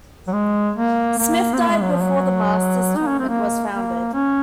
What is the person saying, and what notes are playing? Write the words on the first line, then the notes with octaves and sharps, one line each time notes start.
Smith died before the Masters Tournament was founded.
F#3
G#3
A#3
A#3
C4
A#3
G#3
F#3
F3
F#3
D#4
C#4
C4
A#3
A#3
C#4